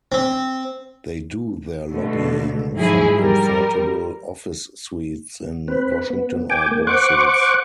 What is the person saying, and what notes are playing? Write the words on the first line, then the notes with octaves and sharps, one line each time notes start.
They do their lobbying from comfortable office suites in Washington or Brussels.
C4
B2 D3 A3
G#2 F3 F#3 E4 G#4
G3 A#4
C4 B4
B3
G5 G#5 D6
A#3
C5 F#5 C#6 D6